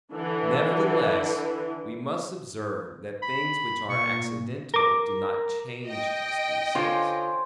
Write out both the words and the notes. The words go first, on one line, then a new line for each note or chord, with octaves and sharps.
Nevertheless, we must observe that things which are accidental do not change the species.
D3 E3
B5
A#2 C#6
A#4 D6
D#5 G5
D3 F4 C5 C#5 G#5